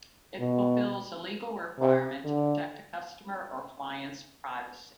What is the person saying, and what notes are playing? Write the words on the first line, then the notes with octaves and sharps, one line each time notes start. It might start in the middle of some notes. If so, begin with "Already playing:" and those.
It fulfills a legal requirement to protect a customer or client's privacy.
B2
C3
D3